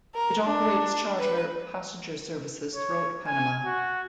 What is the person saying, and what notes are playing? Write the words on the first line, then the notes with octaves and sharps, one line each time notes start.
It operates charter passenger services throughout Panama.
A#4
D4
B4
C#5
G#5
F#4